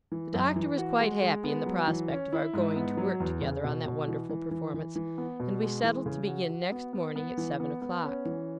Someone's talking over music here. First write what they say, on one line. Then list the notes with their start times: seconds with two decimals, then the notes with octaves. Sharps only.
The Doctor was quite happy in the prospect of our going to work together on that wonderful performance, and we settled to begin next morning at seven o'clock.
0.12 E3
0.34 F#2
0.56 E3
0.78 F#4
1.00 G#3
1.22 G#3
1.44 B3
1.66 F#3
1.88 E3
2.10 C#4
2.32 E4
2.54 G#2
2.76 B3
2.97 F#3
3.20 E2
3.42 C#3
3.64 B2
3.86 B2
4.08 E3
4.29 E3
4.51 E3
4.74 E3
4.96 E3
5.18 B3
5.40 B2
5.62 G#3
5.84 E3
6.06 C#3
6.27 F#4
6.50 F#4
6.72 B3
6.93 B3
7.16 B3
7.38 E3
7.60 B3
7.82 B3
8.04 C#4
8.25 E3